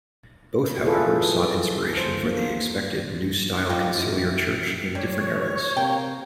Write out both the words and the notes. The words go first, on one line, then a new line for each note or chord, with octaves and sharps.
Both however sought inspiration for the expected new style conciliar church in different eras.
E4 F4 G#4 A4 B4
C5
A#3
F#3 G#3 F4 G4
F#2 E4
G3 C#5
C3 A#3 G5